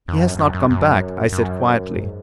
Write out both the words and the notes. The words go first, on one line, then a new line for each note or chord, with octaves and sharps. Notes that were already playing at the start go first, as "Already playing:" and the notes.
"He has not come back," I said quietly.
F2
F#2
F#2
F#2
F#2
F#2
G#2